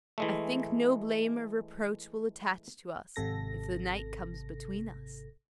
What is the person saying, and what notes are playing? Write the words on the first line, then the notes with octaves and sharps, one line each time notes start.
I think no blame or reproach will attach to us if the night comes between us.
E3 G#3 A3
G#1 C3 A4 A#6